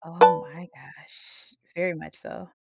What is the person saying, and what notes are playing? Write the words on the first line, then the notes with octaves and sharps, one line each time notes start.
Oh my gosh, very much so.
B4 D5 A5